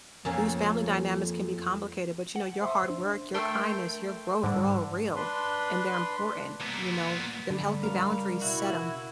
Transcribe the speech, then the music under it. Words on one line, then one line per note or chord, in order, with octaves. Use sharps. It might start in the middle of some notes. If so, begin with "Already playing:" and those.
These family dynamics can be complicated, but you know, your hard work, your kindness, your growth, they're all real, and they're important, you know, g them healthy boundaries, set 'em,
F2 A#3 C#4
F#5
C5 E5 C6
D4
A3 A#4 G5 C6
G#2 D3 G3
D4 B4 C6
A#2 B3
D3 G3
C#3 A#4 F5
B2 E4 F#4